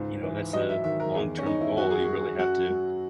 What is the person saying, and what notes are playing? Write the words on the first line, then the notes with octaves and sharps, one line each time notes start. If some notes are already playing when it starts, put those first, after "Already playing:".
you know, that's a long-term goal. You really have to
Already playing: C#2 G#2
E3
F#3 D#5
E5
D#3 E5
A#4
E2 G#4
C#4
E2 D#4
E4
F#2 F#4
G#4
F#3 F#4
F#2 F#4
F#3